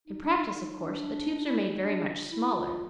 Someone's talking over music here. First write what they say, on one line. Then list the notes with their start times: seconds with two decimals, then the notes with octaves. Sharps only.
In practice, of course, the tubes are made very much smaller.
0.07 D#4
0.23 D4
0.32 D#4
0.56 D#4
0.78 D#4
0.82 D4
1.46 E4
1.57 D#4
1.82 D4
2.32 E4
2.52 F#4
2.56 F4